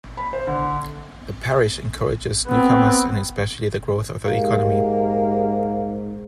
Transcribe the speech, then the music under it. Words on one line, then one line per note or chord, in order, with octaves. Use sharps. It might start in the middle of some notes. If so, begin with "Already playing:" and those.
The parish encourages newcomers and especially the growth of the economy.
B5
C5
D3
B3 C4
G#2 A#3 G4